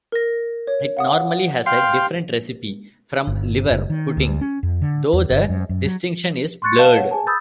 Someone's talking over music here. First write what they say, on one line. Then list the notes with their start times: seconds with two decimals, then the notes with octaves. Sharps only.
It normally has a different recipe from liver pudding, though the distinction is blurred.
0.12 A#4 A#6
0.67 C#5
0.97 F5 F#5 D#6
1.66 F5 G5 C6 C7
3.27 G1
3.70 F#1
3.90 D#3
4.17 D2
4.41 C#4
4.63 F2
4.82 D3
5.13 E2
5.30 G1
5.49 F#2
5.69 F#2
5.86 F#3
6.62 C6 C#6 F#6 A6 C#7
6.78 D#5 F5 A5 E7
6.97 C#5 F#5
7.11 G#4 G#5 A5
7.27 B5 D#6 E6 G6 A6